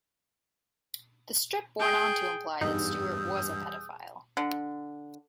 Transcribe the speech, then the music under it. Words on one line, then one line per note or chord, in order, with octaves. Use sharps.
The strip went on to imply that Stewart was a pedophile.
G#4 G5
E2 G2 G3 D#4 D#6 E6 G6
D3